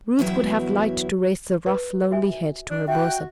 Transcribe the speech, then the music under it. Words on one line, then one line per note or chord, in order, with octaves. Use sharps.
Ruth would have liked to raise the rough, lonely head to her bosom.
E2 B2 F#3 E4 G5
B4
F#4 E5 G#5
D4
F#4 E5 G5 F#6